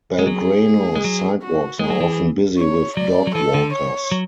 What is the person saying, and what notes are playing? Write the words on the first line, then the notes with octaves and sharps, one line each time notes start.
Belgrano's sidewalks are often busy with dog walkers.
G#3
F#3 G#4
G#3
F#3
F#4
G#3 G#4
F#3
E3
C#5
F#3 D5
F#3
E3 A4
D3
C#5
F#3